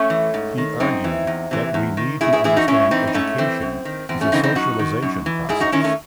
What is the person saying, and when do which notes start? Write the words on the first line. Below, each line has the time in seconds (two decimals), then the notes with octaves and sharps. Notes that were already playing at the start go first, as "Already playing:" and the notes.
He argued that we need to understand "education" as a socialization process.
Already playing: A3 C#4
0.10 E3
0.34 G#2
0.58 D#3
0.80 F#2 C4 D#4
1.04 E3
1.27 E2
1.51 C3 E3
1.74 E2
1.97 D#3
2.21 A2 E4 G#4
2.33 E4 G#4
2.44 E3 E4 G#4
2.56 D#4 F#4
2.68 A2 C#4 E4
2.91 E3 C4 D#4
3.07 D#4
3.14 G#2 A3 C#4
3.38 E3 C4
3.62 F#2
3.85 D#3
4.09 E2 C4
4.21 A3 C#4
4.32 C#3 E3 C4 D#4
4.43 C4 D#4
4.55 F#2 D#4 F#4
4.79 D#3
5.02 F#2
5.26 E3
5.49 G#2 E4 G#4
5.60 D#4 F#4
5.72 D#3 C#4 E4
5.84 A3 C#4